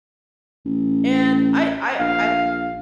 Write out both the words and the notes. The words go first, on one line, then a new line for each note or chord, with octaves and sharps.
And I I I
A1
A#1 F5